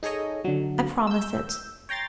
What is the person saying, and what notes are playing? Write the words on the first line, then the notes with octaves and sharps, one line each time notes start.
"I promise it."
D#4 G#4 A4 C#5 D#5
D3 F#3
E6 G6
C#5 G5 A#5 C6 A6